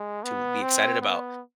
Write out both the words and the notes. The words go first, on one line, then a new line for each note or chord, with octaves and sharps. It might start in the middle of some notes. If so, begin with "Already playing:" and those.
to be excited about.
Already playing: G#3
B3
C4
B3